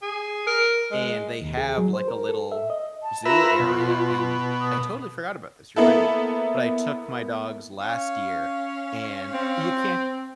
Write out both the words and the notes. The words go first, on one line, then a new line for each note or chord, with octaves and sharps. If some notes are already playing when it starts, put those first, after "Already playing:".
and they have, like, a little zoo area- and I totally forgot about this, you reminded me- but I took my dogs last year, and you can't
G#4
A#4
G#3
D#2
G#4
F#3
C5
A#4
A4
E5
D#5
A5
F4 A#4 B4 E5
B2
D#6
A#3 B3 E4 A4
C#4 F5
C4